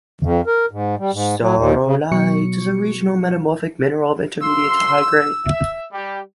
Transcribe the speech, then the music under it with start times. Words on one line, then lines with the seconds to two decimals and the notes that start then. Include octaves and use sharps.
Staurolite is a regional metamorphic mineral of intermediate to high grade.
0.23 F2
0.47 A#4
0.71 G#2
0.99 G3
1.13 G#2
1.42 F#3
1.56 D#2
1.85 C#3
2.12 B2 F#3 C#6 C#7
4.41 F#2 F5 C6 E6
5.45 E5
5.92 G3 G4